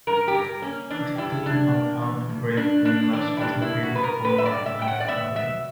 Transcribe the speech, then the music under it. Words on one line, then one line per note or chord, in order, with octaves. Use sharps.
A steam and pump brake windlass was located forward for mine handling.
G2 A#4
G4
G2 A#4
A#3 C#4
E3 D4
G2 E4
G2 D4
A#3
E3
G2
G2 D4
A#3 D4
E3 D4
E4
G2 D4
E4
G2
F#4
B3 B4
A#4
F#3 B4
E5
D5
G2
E5
G2 G5
F#5
D5
B3 E5
F#3 E5